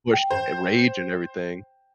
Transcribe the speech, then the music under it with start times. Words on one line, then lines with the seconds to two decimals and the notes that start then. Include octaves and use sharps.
push, uh, rage and everything.
0.13 G5
0.31 C5